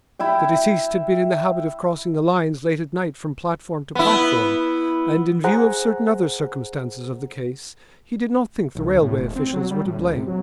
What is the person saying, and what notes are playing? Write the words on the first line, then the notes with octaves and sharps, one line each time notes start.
The deceased had been in the habit of crossing the lines late at night from platform to platform and, in view of certain other circumstances of the case, he did not think the railway officials were to blame.
E4 E5 G5
B3 E4
G#4 C5 F#5 A#5
B1
D2
A2
E1
C4
F#3
G3
A2
C#2
C3
F#3